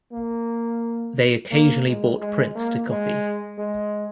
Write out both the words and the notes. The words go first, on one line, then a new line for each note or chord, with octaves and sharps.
They occasionally bought prints to copy.
A#3
A#3
G#3
G#3
A#3
G#3
G#3